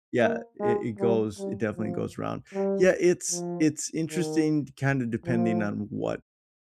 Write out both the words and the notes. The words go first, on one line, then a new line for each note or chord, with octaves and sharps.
yeah, i it goes it definitely goes around. Yeah, it's it's interesting kinda depending on what
A#3
G#3
G3
G3
F3
G3
F3
D#3
F3